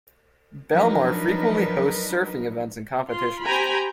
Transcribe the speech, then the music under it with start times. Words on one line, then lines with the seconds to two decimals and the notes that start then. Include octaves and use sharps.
Belmar frequently hosts surfing events and competitions.
0.72 F3 F#3 D4 D#4 A#4 B4
3.08 F4 C6
3.45 G4 C5 G5 G#5 A#5 B5